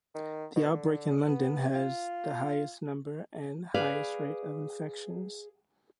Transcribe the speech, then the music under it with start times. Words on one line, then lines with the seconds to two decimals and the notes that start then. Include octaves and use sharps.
The outbreak in London has the highest number and highest rate of infections.
0.15 D#3
0.56 B2
0.74 D3
1.28 B3
1.75 F4
3.74 G#4 B4 D5 F5